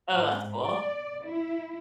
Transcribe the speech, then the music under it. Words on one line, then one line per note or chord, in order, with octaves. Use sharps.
Oh, that's cool.
G#2
D5
E4